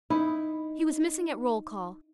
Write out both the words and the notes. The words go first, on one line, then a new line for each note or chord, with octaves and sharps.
He was missing at roll-call.
D#4 E4